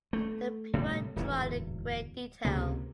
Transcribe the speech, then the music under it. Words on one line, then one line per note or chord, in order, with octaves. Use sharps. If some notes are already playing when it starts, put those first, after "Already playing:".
The people are drawn in great detail.
A3
A2 C3 D#3 G3
D1 E2 G#2
C#2 C3 A#3